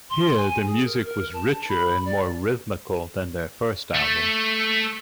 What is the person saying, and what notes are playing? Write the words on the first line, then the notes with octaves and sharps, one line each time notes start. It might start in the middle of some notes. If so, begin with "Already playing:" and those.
Here the music was richer and more rhythmical than their first album.
C6
G#5
G#4
A#4
A#4
A5
B5
D5
A3